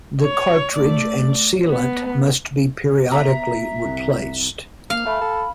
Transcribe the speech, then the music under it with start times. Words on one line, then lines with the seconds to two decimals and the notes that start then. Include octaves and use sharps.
The cartridge and sealant must be periodically replaced.
0.21 C#5
0.74 A3 D5
1.69 B3
3.12 B3 E5 A#5
3.85 C2
4.90 A#3 F5
5.06 A3 B5
5.21 A4